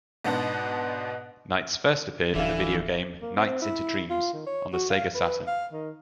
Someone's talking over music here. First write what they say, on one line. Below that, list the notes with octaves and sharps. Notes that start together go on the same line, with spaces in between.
Nights first appeared in the video game "Nights into Dreams..." on the Sega Saturn.
G#2 B2 B3 D4
D1 D3 E3 E5 F5
A#3
C4
E4
F4
D#3
C#5
F#4
F5
B4
F5
D#3